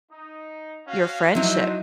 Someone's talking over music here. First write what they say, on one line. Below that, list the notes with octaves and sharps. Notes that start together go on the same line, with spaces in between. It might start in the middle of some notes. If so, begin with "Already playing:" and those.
your friendship.
D#4
C#4 F#4 F5
F#3 A3 D#4 E4 F#4 C5